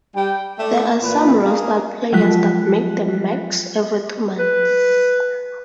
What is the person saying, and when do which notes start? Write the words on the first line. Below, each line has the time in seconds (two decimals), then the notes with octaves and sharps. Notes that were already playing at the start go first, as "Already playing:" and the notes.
There are some rostered players that make the max every two months.
0.15 G3 G5
0.59 A3 D5
1.03 A#2 E3 B4
1.45 A#3 G#4
2.13 F3 F#3 G#3 F4 F#6 B6
4.39 B4